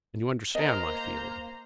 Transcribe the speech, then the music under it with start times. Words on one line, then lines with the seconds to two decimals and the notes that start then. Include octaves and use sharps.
"And you understand my feeling?"
0.55 A#4 C5 D#5 A#5
0.87 A#3